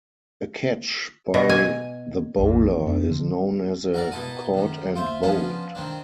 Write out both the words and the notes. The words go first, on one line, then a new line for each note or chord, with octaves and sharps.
A catch by the bowler is known as a "caught and bowled".
B2
G#5
A#1 F2 C3
E3
F2 B3 D4
D3 F3 C4
F#4 A#4 D5
B2 D#4 E4 A5 D#6
F#2 D#3
F4 C5 E5
F3 B3 C#4 D4 F4
D#3 C4 D4